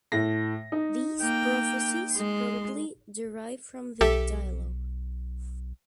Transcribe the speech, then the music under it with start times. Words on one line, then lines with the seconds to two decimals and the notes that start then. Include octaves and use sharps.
These prophecies probably derive from the "Dialog".
0.12 A2 A#6
0.72 D#4
1.20 A#3 G5
2.13 G#3 C6
4.01 B1 G4 A4 E5